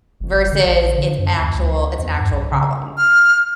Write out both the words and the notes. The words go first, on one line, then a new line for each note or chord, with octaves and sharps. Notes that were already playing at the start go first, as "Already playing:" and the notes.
versus it's actual it's an actual problem.
F#1
G1
D3
A#1
D3
F#2
D#2
C#2
E2
G2
B1
C#3
F6